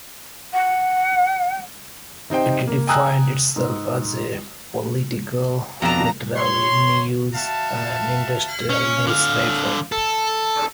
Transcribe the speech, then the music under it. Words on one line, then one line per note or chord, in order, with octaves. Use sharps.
It defined itself as a "political, literary, news and industrial newspaper".
F#5
C3 D#4 C5 G5
A#3
G5 G#5 A#5 D#6 E6 F#6
G#2
F2 B2 D4 A5 A#5
C#5 C6
F#4 E5 F5 A5
C#4
D3 F5
A4